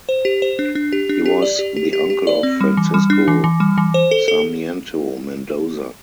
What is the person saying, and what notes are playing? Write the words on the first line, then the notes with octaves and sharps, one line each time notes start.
He was the uncle of Francisco Sarmiento Mendoza.
C5
G4
C5
D4
D4
G4
D4
G4
D5
G4
G4
G4
G4
D5
C4
G3
E3
G3
D4
E3
E3
G3
E3
C5
A4
A4